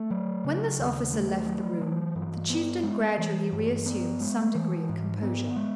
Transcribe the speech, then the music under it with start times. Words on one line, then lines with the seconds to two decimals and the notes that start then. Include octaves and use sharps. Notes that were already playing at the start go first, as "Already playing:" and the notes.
When this officer left the room, the Chieftain gradually reassumed some degree of composure.
Already playing: A3
0.10 F#3
0.44 C#3
0.79 D#2
1.13 A3
1.47 F#3
1.82 E3
2.15 G2
2.50 B3
2.83 G#3
3.18 E3
3.52 G2
3.86 B3
4.21 G#3
4.55 E3
4.89 G#2
5.23 B3
5.56 G#3